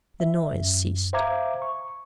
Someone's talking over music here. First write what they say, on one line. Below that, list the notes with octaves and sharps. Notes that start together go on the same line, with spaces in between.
The noise ceased.
E5
F#2
C5 E5 F5 A#5 D6 G#6
C#6